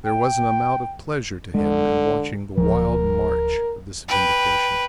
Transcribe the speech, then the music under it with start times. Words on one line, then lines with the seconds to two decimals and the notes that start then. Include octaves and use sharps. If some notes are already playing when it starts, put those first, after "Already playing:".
There was an amount of pleasure to him in watching the wild march of this vindication.
0.06 G5
1.55 D3 G#3
2.57 D1 F3 A#4
4.08 B4 G5